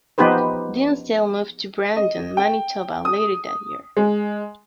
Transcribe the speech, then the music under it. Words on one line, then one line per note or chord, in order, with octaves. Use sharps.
Dinsdale moved to Brandon, Manitoba later that year.
F3 B3 D#4 G4 B4 C5
D#5
G5
D#6
G#3